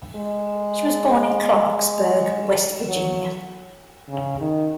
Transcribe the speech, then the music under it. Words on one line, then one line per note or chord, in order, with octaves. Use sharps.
She was born in Clarksburg, West Virginia.
G#3
F#3
C#3
D#3